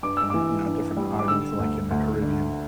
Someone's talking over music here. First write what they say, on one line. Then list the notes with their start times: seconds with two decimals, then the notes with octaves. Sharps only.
um, you know, different islands like in the Caribbean.
0.03 G2 D6
0.17 E6
0.30 E3 D6
0.65 G2
0.97 G3
1.19 D6
1.28 D3 E6
1.59 D2
1.91 D2
2.22 D3